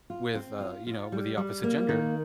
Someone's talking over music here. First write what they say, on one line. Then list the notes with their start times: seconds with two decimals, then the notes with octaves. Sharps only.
with, uh you know, with the opposite gender,
0.10 F4
0.35 C4
0.61 F4
0.87 F4
1.12 G3
1.37 G3
1.64 A#3
1.89 D#3